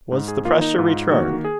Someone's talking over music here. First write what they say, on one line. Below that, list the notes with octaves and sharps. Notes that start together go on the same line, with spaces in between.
Was the pressure returned?
G#2
G#4
D#3 A#3 F4
D#4
G#2 F4
D#3 A#3 F#4
G#4